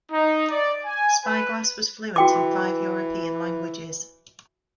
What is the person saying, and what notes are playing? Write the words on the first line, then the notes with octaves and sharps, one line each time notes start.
Spyglass was fluent in five European languages.
D#4
D5
G#5
B4
E3 F#4 G5 D6